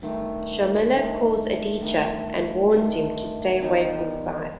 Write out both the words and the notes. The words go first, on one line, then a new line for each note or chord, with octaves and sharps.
Sharmila calls Aditya and warns him to stay away from Sai.
G2 D#3 A3
G2 D#3 A3
G2 D#3 A3
G2 D#3 A3
E2 D#3 G3 D#4